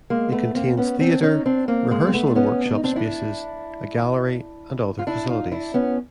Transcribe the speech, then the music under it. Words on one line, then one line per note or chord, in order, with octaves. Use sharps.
It contains theatre, rehearsal and workshop spaces, a gallery and other facilities.
G#3 A#3
A3 B3
A#3 C4
B3 C#4
C4 D4
C#4 D#4
C4 D4
A#3 C4
G#3 A#3
C4
A3 B3
D4
B3 C#4
D4
D#4
C4 D4
D4 E4
F4
D4 E4
D#4 F4
D4 E4
B3 C#4